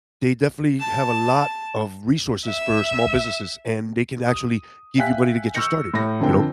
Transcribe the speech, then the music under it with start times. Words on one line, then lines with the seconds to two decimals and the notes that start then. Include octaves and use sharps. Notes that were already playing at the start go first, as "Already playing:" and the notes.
they definitely have a lot of resources for small businesses and they can actually give you money to get you started, you know?
0.80 A5
2.45 E5
4.27 D#6
4.98 E5 F5 G5 G#5 F#6 B6
5.55 C#6 E6 F6 G6 A#6 C#7
5.94 A2 A#6
6.20 F2 D3 C4 D4 A#4 G5